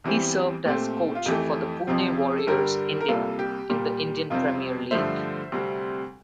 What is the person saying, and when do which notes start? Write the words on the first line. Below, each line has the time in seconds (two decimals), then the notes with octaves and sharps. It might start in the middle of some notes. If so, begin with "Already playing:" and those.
He served as coach for the Pune Warriors India in the Indian Premier League.
0.04 E2 E3 G3 C4
0.65 A#2 A3 C4 G4
1.15 F4
1.26 F2 E3 A3 G4
1.87 F2 C3 F3 C4
2.38 A4
2.47 G2 D3 G3 G4 A#4
3.01 A#4
3.08 C2 C3 G3 A#3 F4 A4
3.39 G4
3.70 A#2 G3 A#3 G4
4.30 F2 C3 G3 C4 F4
4.91 G2 D3 F3 A3 C5 E5
5.52 D2 C3 G3 C4